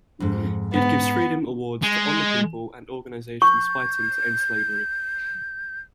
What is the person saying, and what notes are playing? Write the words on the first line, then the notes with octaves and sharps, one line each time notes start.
It gives Freedom Awards to honour people and organisations fighting to end slavery.
F2 G#2
G#2 B3
G#3
C#6 G6